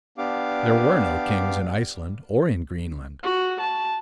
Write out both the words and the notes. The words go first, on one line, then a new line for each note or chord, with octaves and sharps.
There were no kings in Iceland or in Greenland.
B3 D4 G4 F5 D6
F#4
A5